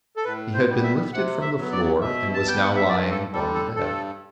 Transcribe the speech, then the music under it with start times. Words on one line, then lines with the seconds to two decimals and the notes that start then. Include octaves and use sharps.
He had been lifted from the floor, and was now lying upon the bed.
0.17 A4
0.24 A2 B4
0.54 C5
0.69 G3 B3
0.84 E5
1.13 C3 F#5
1.41 E5
1.57 F#3 B3
1.72 D5
2.01 B2 E5
2.34 A5
2.45 G3 B3 G5
2.62 F#5
2.76 E5
2.89 G2 D5
3.11 A4
3.32 G3 A4
3.36 D3
3.55 A4
3.76 G2 A4